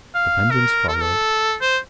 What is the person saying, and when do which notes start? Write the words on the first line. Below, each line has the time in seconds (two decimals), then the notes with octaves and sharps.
The Vengeance followed.
0.15 F5
0.51 A#4
0.88 A4
0.95 A#4
1.02 A4
1.61 C5